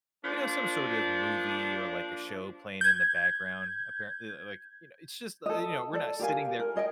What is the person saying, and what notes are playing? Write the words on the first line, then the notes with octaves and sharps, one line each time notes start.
you know some sort of movie or like, a show playing in the background. Apparently like, you know it's just, you know, we're not sitting there
F3 A#3 D4
G6 G#6
A4 D#5
A4 D5
G4 A#4 F5 G#5
A#4
G#4 D#5 E5 G5